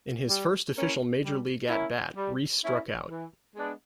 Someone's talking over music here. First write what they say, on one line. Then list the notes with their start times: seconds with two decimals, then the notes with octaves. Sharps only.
In his first official major league at-bat, Reese struck out.
0.29 G3
0.76 A#3 C#4 E4
1.22 G3
1.69 A#3 C#4 E4
2.15 G3
2.62 A#3 C#4 E4
3.09 E3
3.55 G#3 B3 D4